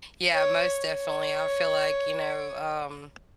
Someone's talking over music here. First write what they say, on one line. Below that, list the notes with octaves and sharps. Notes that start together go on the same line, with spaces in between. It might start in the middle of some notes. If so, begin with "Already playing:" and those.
Yeah, most definitely. I feel like, you know, um,
C#5
C#5